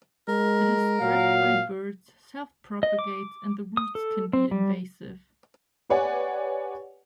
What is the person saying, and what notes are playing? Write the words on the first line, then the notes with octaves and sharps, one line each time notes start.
It is spread by birds, self-propagates and the roots can be invasive.
G#3 A#4
A#2 F#3 F5
D#5
D6
D#6
A4
C4
G3
G4 B4 C#5 D5 F#5 G#5